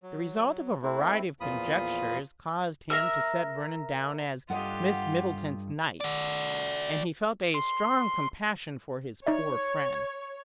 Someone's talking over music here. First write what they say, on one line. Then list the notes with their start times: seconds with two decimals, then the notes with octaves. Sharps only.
The result of a variety of conjectures caused him to set Vernon down as Miss Middleton's knight, and he felt a strong compassion for his poor friend.
0.03 F#3
0.83 A3 C4 E4
1.41 E2 A#2 F3 F4 B5 D#6
2.90 A#4 E5 E6
4.50 G2 F4 G4 A4 D#5 F#5
6.01 F#4 D5
7.54 C6
9.27 D#4 C#5 D5 E5